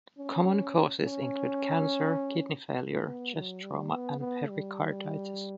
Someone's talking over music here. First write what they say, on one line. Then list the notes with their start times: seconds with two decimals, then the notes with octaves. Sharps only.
Common causes include cancer, kidney failure, chest trauma, and pericarditis.
0.18 C#4
1.04 C#4
3.06 B3
3.34 F#3
3.63 G3
3.91 B3
4.20 B3
4.49 G3